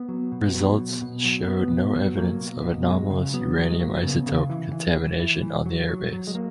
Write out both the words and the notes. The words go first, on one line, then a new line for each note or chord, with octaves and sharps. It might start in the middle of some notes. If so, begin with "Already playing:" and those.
Results showed no evidence of anomalous Uranium isotope contamination on the Airbase.
Already playing: B3
F#3
B2
F#3
B2
B2
F#3
B2 B3
B2
F#3
F#3 A#3
B2
B2
F#3 G#3
C#3
F#3 B3
F#3
G#3
F#3 A#3
C#3 B3
C#3
E3
E3
E3
E3
E3
F#3
F#3
F#3
G#3
A#3